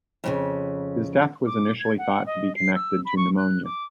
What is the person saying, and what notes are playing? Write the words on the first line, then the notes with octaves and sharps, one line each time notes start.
His death was initially thought to be connected to pneumonia.
F2 A2 C#3
D6
G#6
F#5
D#5
C7
E6
B5
C#6
F#6
D6